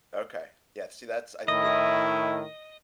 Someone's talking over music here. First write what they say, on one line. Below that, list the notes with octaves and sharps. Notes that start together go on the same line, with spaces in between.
Okay, yeah, see, that's I think
A2 D#3 E4 D#5